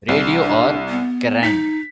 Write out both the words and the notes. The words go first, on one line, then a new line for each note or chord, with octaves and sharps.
Radio or Kerrang!
C2
D4
B3
D#4 B6